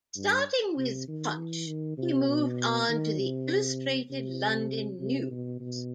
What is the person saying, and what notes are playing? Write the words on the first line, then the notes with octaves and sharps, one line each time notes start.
Starting with "Punch", he moved on to the "Illustrated London News".
G2
C3
D#3
E3
D#3
C3
B2
D#3
C3
C3
C3
B2
B2